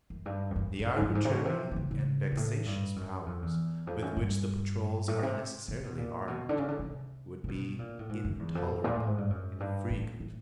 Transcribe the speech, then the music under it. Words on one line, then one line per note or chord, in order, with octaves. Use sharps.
The arbitrary and vexatious powers with which the patrols are necessarily armed, would be intolerable in a free country.
F#2
G2
F2
F#2
G2
F#2
G#2
G2
G#2
C3
B2
C3
D3
C#3
C#3
G#2
A2
G2
F#2
F2
E2
F2
F#2
G2
A2
C3
C3
B2
A#2
B2
D3
C#3
D3
C3
C3
B2
A#2
A2
G#2
F#2
E2
F2
A#2
A2
G#2
G2
F#2
G2
A2
A2